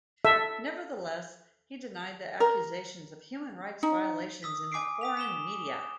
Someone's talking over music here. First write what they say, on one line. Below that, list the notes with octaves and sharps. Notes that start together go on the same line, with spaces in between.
Nevertheless, he denied the accusations of human rights violations in the foreign media.
A4 E5
A#4
D#4
D#6 E6 B6
G#5 D6 B6 C7 D7
D#6 B6 F7
B6 E7 G7